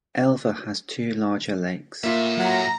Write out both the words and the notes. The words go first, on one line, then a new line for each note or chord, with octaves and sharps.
Elva has two larger lakes.
A2 A#3 F4 E5
F#3 A#5